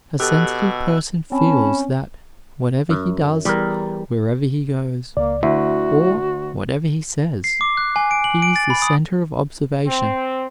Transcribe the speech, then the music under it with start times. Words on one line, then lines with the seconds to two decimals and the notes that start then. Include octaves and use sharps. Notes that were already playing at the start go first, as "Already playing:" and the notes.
A sensitive person feels that, whatever he does, wherever he goes, or whatever he says, he is the center of observation.
0.20 B2 G4 A4 E6 F#6
1.32 C4 C#4 A5 B5
2.89 F#2
3.45 E2 G3 A#4
5.17 C#2 A#3 D5
5.43 D2 E4 F#4 E5
7.44 C7
7.61 D6
7.77 F#6
7.96 G#5
8.11 D7
8.24 F#7
8.42 D7
8.56 A6
8.70 B5
8.82 D#6
9.87 C4